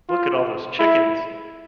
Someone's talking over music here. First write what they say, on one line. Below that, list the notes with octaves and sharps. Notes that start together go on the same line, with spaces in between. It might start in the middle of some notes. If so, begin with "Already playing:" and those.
Look at all those chickens.
F4
E4